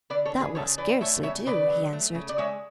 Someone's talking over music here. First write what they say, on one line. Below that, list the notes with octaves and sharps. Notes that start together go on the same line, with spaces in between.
"That will scarcely do," he answered.
D3 B4 D5
A4 C#5
D3
G#4 B4
C#3 A4 C#5
E3 B4 D5
A3 C#5 E5
C#3 C#5 E5
C#3 B4 D5
F#3
A3
C#3
D5
G#3 C#5 E5